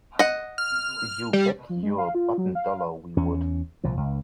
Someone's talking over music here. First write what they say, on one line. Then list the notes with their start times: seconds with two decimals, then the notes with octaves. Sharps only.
You bet your bottom dollar we would!
0.19 D#5 F#5
0.58 F6
1.33 G3
1.69 F3
1.83 G#3
1.98 F5
2.15 F4
2.38 F#3
2.55 F5
3.17 E2 C#4
3.84 C2 A#2 F3
3.97 C#2